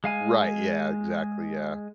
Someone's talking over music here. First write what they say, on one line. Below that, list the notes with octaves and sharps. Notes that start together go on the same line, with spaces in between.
Right, yeah, exactly, yeah.
G#3 F5 G#5